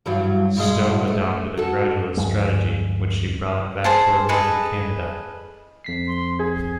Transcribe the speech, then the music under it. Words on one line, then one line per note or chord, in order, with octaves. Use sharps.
Stowe adopted a gradualist strategy which she brought back to her work in Canada.
G2 E3 F#3
G2 B2 G#3
A3
F#4 A4
D2 G2 F3 G#3
G#4 C5 A5
G#4 A4 B4 D#5
F2 B6 C7
C6
G#4 G#6